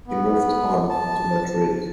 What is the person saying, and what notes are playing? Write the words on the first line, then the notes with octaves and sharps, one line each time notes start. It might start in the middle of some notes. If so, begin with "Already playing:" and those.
He moved on to Madrid.
B3
A5